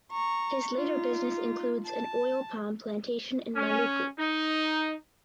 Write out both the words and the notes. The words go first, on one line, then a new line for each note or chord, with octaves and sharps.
His later business includes an oil palm plantation in Maluku.
A#5 C#6
D#4 F4
A5
C#4
D#4